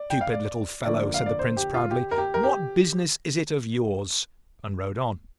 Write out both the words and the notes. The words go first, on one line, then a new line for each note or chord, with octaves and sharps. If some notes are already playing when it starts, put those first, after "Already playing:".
'Stupid little fellow,' said the Prince, proudly; 'what business is it of yours?' and rode on.
Already playing: D5
G5
F5
D5
D3 F3 A#3 D5
F5
D5
C5
G4
F4
G4
A#4
G4
A#4
G4